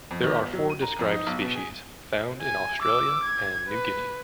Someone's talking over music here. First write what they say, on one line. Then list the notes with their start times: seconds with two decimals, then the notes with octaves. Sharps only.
There are four described species found in Australia and New Guinea.
0.11 F2
0.24 D#3
0.36 G1
0.53 F#3
0.70 D#7
0.82 A#5
0.99 F2
1.12 D#4
1.27 B1
1.42 B2
1.55 G#4
2.41 G#5
2.82 D6 E6
3.23 G#6
3.68 B4